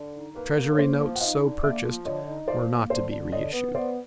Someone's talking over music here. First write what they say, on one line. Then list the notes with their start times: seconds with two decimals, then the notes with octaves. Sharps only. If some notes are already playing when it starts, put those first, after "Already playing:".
Treasury notes so purchased were not to be reissued.
Already playing: D3
0.15 D#4
0.35 A#3 B4
0.57 A#3
0.73 C#5
0.78 A#3 C5
0.99 F3
1.15 F#5
1.20 D#4 D#5 F5
1.42 D3
1.63 A#3 D5 E5
1.84 F3
2.05 D3 C#5 D#5
2.26 D#4
2.48 F3 C5 D5
2.69 A#3
2.90 D3 C5 D5
3.11 D3
3.32 D3 C#5 D#5
3.53 B3
3.74 B3 C5 D5